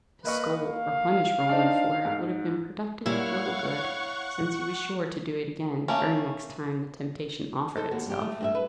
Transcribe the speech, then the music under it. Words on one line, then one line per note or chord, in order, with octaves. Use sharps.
To scold or punish Roland for it, would have been productive of little good, since he was sure to do it again the very next time the temptation offered itself.
A#3 B4 D#5 C#6
F5
D4 D#4 C5
G#2
A#2 G3 A#3 E4 C#5 F5 F#5 C#6
A3 A#3 C#4
D#4 A4 C5
D#2 F#4
G2 G4
A3
G2 C5 E5
B4